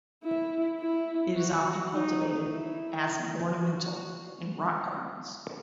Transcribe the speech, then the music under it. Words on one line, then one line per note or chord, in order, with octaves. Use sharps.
It is often cultivated as an ornamental in rock gardens.
E4
E4
F#4
D#4
E4
F#4